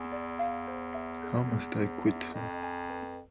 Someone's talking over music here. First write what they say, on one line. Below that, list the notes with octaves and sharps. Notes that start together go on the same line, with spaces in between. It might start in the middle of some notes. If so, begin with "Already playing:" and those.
How must I quit her?
Already playing: E2 G#5
D5
F5
C5
E5
G#4
G#4
C5
E5
F2 D#5
G#5
B4